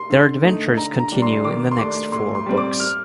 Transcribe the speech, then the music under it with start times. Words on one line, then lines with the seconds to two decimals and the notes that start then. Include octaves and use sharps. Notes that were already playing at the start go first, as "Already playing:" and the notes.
Their adventures continue in the next four books.
Already playing: C6
0.10 D3
0.44 A3 D#4
0.77 D3 A#5
0.99 A#5
1.12 G3 D4
1.22 C6
1.44 D#3 D6
1.71 C6
1.78 A3 D4 D6
2.12 A2 C6
2.35 C6
2.46 G3 C4
2.57 D6
2.80 F6